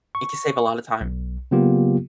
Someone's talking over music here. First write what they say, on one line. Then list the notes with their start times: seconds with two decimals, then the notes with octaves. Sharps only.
it can save a lot of time.
0.15 C#6
1.01 B1
1.51 C#3 F#3 A#3 B3 F4 G4